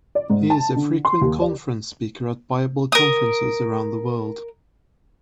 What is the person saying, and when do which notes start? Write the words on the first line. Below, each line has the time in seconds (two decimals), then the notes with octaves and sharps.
He is a frequent conference speaker at Bible conferences around the world.
0.15 D5
0.30 G#2
0.50 A5
0.76 D3
1.05 C6
1.22 D#2
1.41 D5
2.92 A#4 D#6